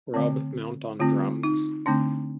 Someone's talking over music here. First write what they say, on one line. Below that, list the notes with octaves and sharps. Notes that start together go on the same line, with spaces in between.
Rob Mount on Drums.
D3 A3 C4
D3 A3 C4 F4
D#4
D3 A3 C4 D4